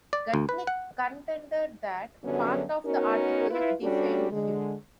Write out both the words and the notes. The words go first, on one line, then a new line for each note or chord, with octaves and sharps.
Gutnick contended that part of the article defamed him.
D5
D2
B4
F#5
F#2 D3 F#3 G3 B3 C#4
B3 C#4 D#4 F#4 A#4
E4 F4 B4
G3 C#4 D4 F#4 G4 A4
D3 G#3